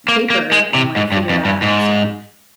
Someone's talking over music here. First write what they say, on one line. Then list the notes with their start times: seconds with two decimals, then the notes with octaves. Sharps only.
paper and, like, figure that out." So
0.08 A#3
0.30 A#3
0.52 G#3
0.74 C3
0.96 G#2
1.12 G2
1.29 F2
1.45 G2
1.62 G#2